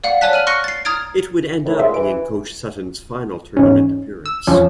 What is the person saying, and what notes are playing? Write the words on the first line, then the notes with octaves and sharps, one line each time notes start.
It would end up being Coach Sutton’s final Tournament appearance.
D5 F5 F#5
C#5 D5 G#5 A5 F#6 B6
F6 D#7 F#7
C6 C#6 F6 F#6 A#6 C#7
A6 C7
A#5 D#6 F6 G#6 A6 D7
A2 C3 D#3
C#2 A#2 G#3 E5
G2 E3 D7
E2 G#2 C#4
E6
F2 F3 C#4